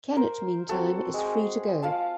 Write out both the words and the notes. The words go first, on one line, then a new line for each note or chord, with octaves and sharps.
Kenet, meantime, is free to go.
A#4 C5
C4 F#4 A4
G#3 G#4
F4 F5 A5